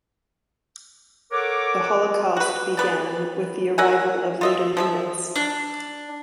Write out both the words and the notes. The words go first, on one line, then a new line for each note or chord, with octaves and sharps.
The Holocaust began with the arrival of later units.
A4 A#4 C#5 F#5 D6
F#4 B4
B3 B4 D5
A#4 E5 F#5 G#5
F4 D#5 E5
F3 G#4 E5
D4